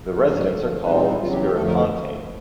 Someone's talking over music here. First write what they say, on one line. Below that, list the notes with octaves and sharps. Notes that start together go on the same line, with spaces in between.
The residents are called Spiripontains.
C#3 F3 A#3 A4
C#5
D5
D3 F3 A3
A#2 G3 C4 D#4 B4
F4
E4
E2 C#3 F#3 F4
G4
G4
F2 D3 F3 A3 A4
A#4